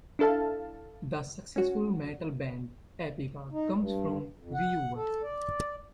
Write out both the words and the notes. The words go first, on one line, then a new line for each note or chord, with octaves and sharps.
The successful metal band Epica comes from Reuver.
D4 E4 A4 F5 A5
C#4 F#4
D#4
G2
F2
F#5
A4
D5